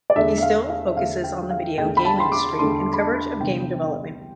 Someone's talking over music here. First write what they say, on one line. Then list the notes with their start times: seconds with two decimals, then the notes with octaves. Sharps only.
He still focuses on the video game industry and coverage of game development.
0.10 D5
0.16 E2 D3 A3 D4 E5
0.38 E5
0.43 F5
0.70 F5
0.97 E2 D3 A3 D4 F5
1.24 G5
1.50 F5
1.78 E2 D3 A3 D4 G5
1.97 B5
2.05 A5
2.20 C6
2.32 D6
2.59 E2 D3 A3 D4 C6
2.93 B5
2.99 A5
3.40 C2 C3 E3 B3 D4 G5